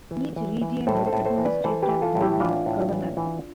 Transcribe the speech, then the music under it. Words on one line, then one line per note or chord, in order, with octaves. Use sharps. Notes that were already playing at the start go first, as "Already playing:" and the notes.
Each region is administered by a Governor.
E3
E3
E3
A2 A4 C5
A4 C5
A2
A4 C5
E3
B4 D5
E3 A4 C5
G4 B4
E3
F4 A4
A2
E4 G4
E3 D4 F4
A2
E3
E3